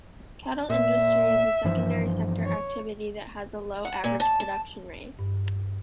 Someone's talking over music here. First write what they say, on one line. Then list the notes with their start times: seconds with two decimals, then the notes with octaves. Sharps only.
Cattle industry is a secondary sector activity that has a low average production rate.
0.70 A#2 E5
1.64 G2 E3 F3
2.45 C#5
3.85 F#5
4.04 A#2
4.20 A5
4.40 A5
5.19 G2